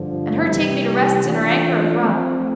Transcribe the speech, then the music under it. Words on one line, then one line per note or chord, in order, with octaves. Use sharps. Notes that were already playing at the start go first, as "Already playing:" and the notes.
And her take me to rests and her anker of rum.
Already playing: G2 D3 F3
C3 E3 G3
E3 A3 D4 F4
F3 A3 C4